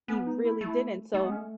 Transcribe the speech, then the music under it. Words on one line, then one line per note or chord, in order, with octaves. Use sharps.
he really didn't, so
B3 C#4
D#4
E4
A3
E4
A3 D#4
G#3 B3
C#4
A3